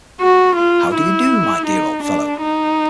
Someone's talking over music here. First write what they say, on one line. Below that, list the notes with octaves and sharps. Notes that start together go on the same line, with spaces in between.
How do you do, my dear old fellow?
F#4
F4
E4
D#4
D4
D#4